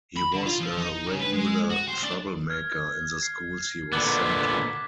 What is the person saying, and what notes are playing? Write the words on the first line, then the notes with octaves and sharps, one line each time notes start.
He was a regular troublemaker in the schools he was sent to.
B5
D3
F4
F3
D#4
C#3
B4
G#3
F#4
C5
D4
F6 G#6
C7
A#2 D3 B3 D6 F#6 A6
B6